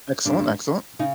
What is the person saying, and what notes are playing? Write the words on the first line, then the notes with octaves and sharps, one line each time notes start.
Excellent, excellent.
G2 D3 G3 D4
C#3 D#4